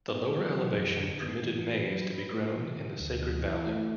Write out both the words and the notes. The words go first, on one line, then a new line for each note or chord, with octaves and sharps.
The lower elevation permitted maize to be grown in the Sacred Valley.
B3
E3
F#3
F#2
D3
B3
E3
B4
F#3
B4
A3
E3
D3
D2
E3
E4
A3